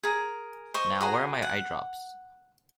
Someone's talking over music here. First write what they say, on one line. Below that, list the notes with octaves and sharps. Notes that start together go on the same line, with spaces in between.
Now, where are my eyedrops?
G#4 A#4
C5 D#5 C#6
F#4 G#4 A#5
F#5